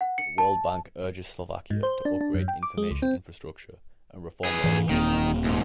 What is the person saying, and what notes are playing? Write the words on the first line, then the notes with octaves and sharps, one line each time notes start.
The World Bank urges Slovakia to upgrade information infrastructure and reform the education system.
F#5
C#7
A5
G#2
C5
D4
D4
F#2
G5
D6
G#3
C#2
C4
G#4 B4
G#2 E3
D#1 D#3 A#3 C4
D#2 G#2